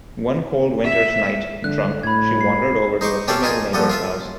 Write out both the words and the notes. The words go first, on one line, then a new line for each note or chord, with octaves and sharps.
One cold winter's night, drunk, she wandered over to a female neighbour's house.
E5
D3 F#6
A2 B5 G#6
C7
D#4 C5 C#6 D6
C#4 G4 A4 E5 F5 D6
D#4 F4 G#4 G#5 D#6
A#1 F3 G3 A4 F#5 D#6
F4 E5 D#6